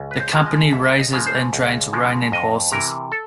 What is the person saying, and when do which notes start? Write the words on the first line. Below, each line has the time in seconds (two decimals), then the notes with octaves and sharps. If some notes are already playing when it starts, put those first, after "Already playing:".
The company raises and trains reining horses.
Already playing: C#2
0.11 B4
0.20 C5
0.33 C#3 F3 G#3
0.46 D#5
0.73 C#2 E5
1.00 D#5
1.13 C#3 F3 G#3
1.27 C5
1.53 C#2
1.93 C#3 F3 G#3
2.32 F2 D#5
2.72 C3 E3 A#4
3.12 A4